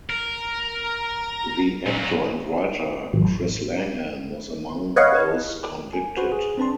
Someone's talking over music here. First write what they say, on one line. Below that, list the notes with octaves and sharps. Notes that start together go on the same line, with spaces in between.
The actor and writer Chris Langham was among those convicted.
A#4
A#2 F#3
A1 F#2
B4 C#5 D#5 F5 F#5
G#5
F#4 B4 C5
G#4
C4 D4 B4 A5 C6